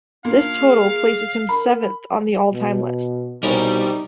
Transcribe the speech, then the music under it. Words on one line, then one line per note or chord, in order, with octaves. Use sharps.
This total places him seventh on the all-time list.
A#2 D4 F5
G#4
A#4 B5
B2
C2 B2 G3 C#4 D#4 A#4